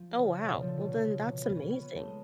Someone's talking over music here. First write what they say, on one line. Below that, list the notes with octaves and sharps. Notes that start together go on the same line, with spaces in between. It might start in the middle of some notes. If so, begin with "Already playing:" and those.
Oh, wow. Well, then that's amazing.
Already playing: F3
C#3
B2
C#3
F3
D3
B2
C#3
C#3
B2
B3
C#4
C#4
B3
A3
G#3